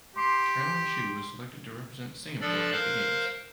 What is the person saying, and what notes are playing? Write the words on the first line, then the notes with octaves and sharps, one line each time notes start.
Caroline Chew was selected to represent Singapore at the Games.
G4 C6 D6 C7
F3 D4 A4 D5
A#4 C5 F5 F#6